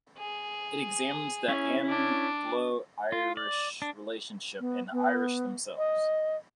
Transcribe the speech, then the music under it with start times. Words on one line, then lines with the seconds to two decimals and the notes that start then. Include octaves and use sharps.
It examines the Anglo-Irish relationship, and the Irish themselves.
0.18 G#4
1.48 C#4 E4 C#5
1.89 D4
3.12 F4
3.37 D5
3.82 D4
4.60 B3
4.92 B3
5.78 D#5